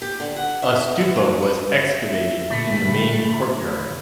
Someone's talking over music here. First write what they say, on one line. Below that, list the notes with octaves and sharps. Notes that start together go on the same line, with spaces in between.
A stupa was excavated in the main courtyard.
G4
D3
F#5
E5
E3
G#3
B4
E5
A#2 D3 A3 B5